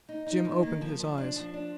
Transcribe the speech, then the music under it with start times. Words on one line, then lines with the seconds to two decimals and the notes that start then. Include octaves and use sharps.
Jim opened his eyes.
0.09 D#4
0.26 D#4
0.45 D#3
0.63 A#3
0.81 F3
1.00 F3
1.18 D4
1.36 F3
1.54 D4